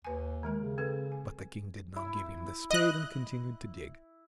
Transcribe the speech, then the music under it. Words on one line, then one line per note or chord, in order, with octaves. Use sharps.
But the King did not give him the spade, and continued to dig.
D#2 B4 G#5
D#3 G#3 A#4
C#3
C4 A4 B4
G#5
E4
D#5 F#6